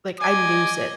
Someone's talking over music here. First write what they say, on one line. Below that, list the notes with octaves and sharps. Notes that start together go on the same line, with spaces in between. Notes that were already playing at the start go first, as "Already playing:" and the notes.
Like, I lose it.
D#5 G#5 D6